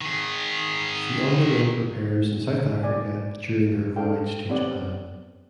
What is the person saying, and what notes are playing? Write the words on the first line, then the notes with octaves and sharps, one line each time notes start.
She underwent repairs in South Africa during her voyage to Japan.
D#3 G#4
D5 G#5
C#4 D4 A4 F5 G5
B3 C4 G4 C#5 D5 F#5